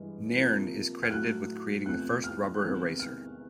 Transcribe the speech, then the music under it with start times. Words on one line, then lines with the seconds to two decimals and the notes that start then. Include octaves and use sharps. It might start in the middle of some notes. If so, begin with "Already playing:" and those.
Nairne is credited with creating the first rubber eraser.
Already playing: G2 E3 G#3
0.35 C3 F3 A#3
1.03 F6
1.11 A2 F#3 A3 F#6
1.86 E2 C3 F3 A3 F#6
2.24 F6
2.55 F#6
2.62 C3 D#3 G#3 B3 F6
3.00 F6